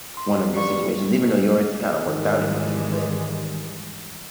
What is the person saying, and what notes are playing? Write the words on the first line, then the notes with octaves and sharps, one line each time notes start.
one of your situations, even though yours kinda worked out in the end, but,
C6
G3 F4 B4 D5 C#6
G#2 D#3 E3 G3 G#3